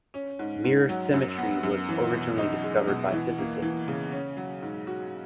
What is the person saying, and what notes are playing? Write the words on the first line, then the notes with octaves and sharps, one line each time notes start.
Mirror symmetry was originally discovered by physicists.
C#4
G#2
G#2
F#3
F#2
B3
F#2
E3
B2
D#4
G#3
B2
E3
A#3
E3
C#3
C#4
F#3
G#2
F#4